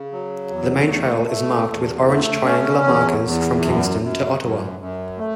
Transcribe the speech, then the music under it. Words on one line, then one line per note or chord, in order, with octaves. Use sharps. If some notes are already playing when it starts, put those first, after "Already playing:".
The main trail is marked with orange triangular markers from Kingston to Ottawa.
Already playing: C#3
F#3
E2
A3
A3
E2
A3
C#4
E2
E2
F#2
F#2
F#2
F#2
A3